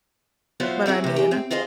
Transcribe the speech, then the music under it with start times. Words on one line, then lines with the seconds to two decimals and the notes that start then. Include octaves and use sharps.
but I mean,
0.60 F#3 B3 F4 C5 E5 F5
0.86 F#3 C4 E4 G#4
1.04 C3 A3
1.16 G4 G#4
1.31 C4
1.51 F4 G#4 C5 D#5 F5